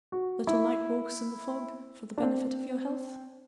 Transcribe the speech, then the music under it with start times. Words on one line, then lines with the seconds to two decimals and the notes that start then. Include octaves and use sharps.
"Little night walks in the fog for the benefit of your health?"
0.12 F#4
0.47 E4
2.18 D4
2.22 C4